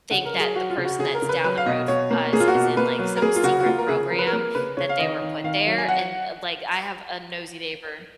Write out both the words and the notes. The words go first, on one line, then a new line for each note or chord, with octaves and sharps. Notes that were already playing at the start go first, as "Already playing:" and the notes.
think that the person that's down the road from us is in, like, some secret program that they were put there," and, uh, like, I have a nosy neighbor
C#3 F#5
A#4
F#3
G#4
F#3 F#4
F4
C#3
F#4
C#3 G#4
A#4
C#3
B4
F#3 B4
F5
B2 D#5
B2 C#5
A#3
A#3 G#4
F4
F#4
B2
A#3 B4
F#3
A#4
A#3 G#4
F4
C#3 F#4
F#4
A#3 F4
A#4
C#3 G#4
F3 A#4
B4
A#4
A#3
C#3 B4
C#3 C#5
F5
D#3 D#5
D#3
D#3 F5
F#3
G#5
F#3 F#5